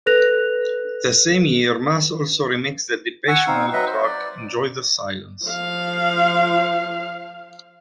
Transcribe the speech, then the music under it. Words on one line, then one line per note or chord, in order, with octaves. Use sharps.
The same year, Maas also remixed the Depeche Mode track "Enjoy the Silence".
A4 B4 F#6 A#6 F7
F#5 G#5 C#6 E6
C4 D#4 F5
F#3 B4 D#5 E5
C5
D5
F3 F5